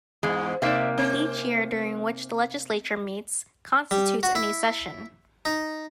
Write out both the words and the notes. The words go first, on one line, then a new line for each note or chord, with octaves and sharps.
Each year during which the Legislature meets constitutes a new session.
E2 G#2 G#3
C3 A#3 D#4 D5 E5
C4
G3
F#4
E4
D#4